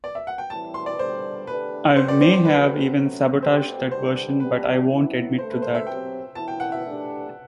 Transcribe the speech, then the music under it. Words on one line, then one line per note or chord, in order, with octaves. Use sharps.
I may have even sabotaged that version but I won't admit to that.
D5
E5
F#5
G5
A2 E3 G3 C4 E4 A5
C6
D5
E2 D3 G3 C5
E2 D3 A3 D4 G4 B4
D3 F#3 C4 C5
D5
C5
C5
D3 A3 C4 F#4 B4
C3 F#3 A3
B2 A3 C4 G4 C5
E2 D3 G3 C5
E3 G3 B3 D4 G4 B4
A2 F#3 B3 E4
G2 D3 A3 C5
B4
C5
E5
C3 F#3 C4 G4 G5
A2 E3 B3 E4 A5
G5
F#5
E5
E3 A3 D4 G4